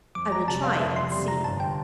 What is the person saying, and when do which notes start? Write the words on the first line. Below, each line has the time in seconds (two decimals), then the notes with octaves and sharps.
"I will try it and see."
0.15 F2 D6
0.32 A#5
0.48 C3 A5
0.51 G3
0.64 F5
0.80 F2 E5
0.96 C6
1.12 C3 G3 C6
1.28 A#5
1.44 G1 A5
1.60 G5